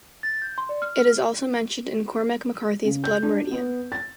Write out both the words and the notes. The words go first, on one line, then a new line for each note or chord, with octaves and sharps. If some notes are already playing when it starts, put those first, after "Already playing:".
It is also mentioned in Cormac McCarthy's "Blood Meridian".
A6
G6
C6
D5
F6
F6
C#3
G6
D4
B3
A6